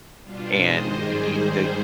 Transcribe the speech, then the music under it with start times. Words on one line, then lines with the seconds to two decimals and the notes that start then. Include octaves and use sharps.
and y the
0.22 B2 G3 D4 F4
0.57 G2 D#3 G#3 C5 D#5
0.92 G#2 D#3 G3 G#4 C5